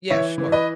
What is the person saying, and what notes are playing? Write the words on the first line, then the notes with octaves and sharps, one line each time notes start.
Yeah, sure.
E3 C#5 E5
E3
B4 D#5